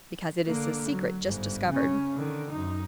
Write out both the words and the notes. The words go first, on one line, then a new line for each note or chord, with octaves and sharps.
"Because it is a secret just discovered."
D3 A#3
F#3
G1 G#2
C#3 C#4
D3 D#3
F#2 D#4